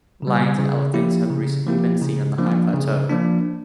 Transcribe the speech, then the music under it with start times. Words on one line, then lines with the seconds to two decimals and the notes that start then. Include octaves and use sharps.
Lions and elephants have recently been seen on the high plateau.
0.22 C#3 G3
0.59 C#3
0.94 F3 A#3 E4 G4
1.30 C#3
1.66 F3 A#3 E4 G4
2.02 C#3
2.38 F3 A#3 D4
2.74 C#3
3.09 F3 A#3 D4